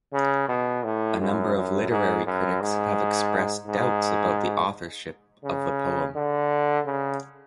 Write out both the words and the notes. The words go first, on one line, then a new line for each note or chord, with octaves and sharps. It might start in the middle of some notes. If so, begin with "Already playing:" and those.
A number of literary critics have expressed doubts about the authorship of the poem.
C#3
B2
A2
F#2
F#2
G#2
F#2
G#2
G#2
C#3
D3
C#3